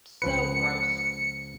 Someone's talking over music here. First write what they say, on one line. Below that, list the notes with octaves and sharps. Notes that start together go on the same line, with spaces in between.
So gross.
C#2 F3 B4 C#7